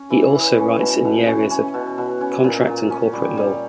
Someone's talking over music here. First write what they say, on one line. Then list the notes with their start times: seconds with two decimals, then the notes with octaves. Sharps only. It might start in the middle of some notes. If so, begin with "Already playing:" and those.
He also writes in the areas of contract and corporate law.
Already playing: C#4
0.10 E3
0.35 E3
0.58 C#4
0.80 B2
1.05 B2
1.27 C#4
1.50 C#4
1.74 B2
1.98 B2
2.21 C#4
2.44 A#2
2.67 A#2
2.90 C#4
3.13 G3
3.37 G3